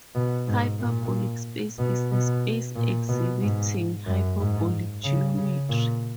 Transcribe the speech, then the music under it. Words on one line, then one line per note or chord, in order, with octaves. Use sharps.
Hyperbolic space is a space exhibiting hyperbolic geometry.
B2
G#2
A#2
B2
B2
A#2
B2
G#2
F#2
G#2
C#3
C#3
A#2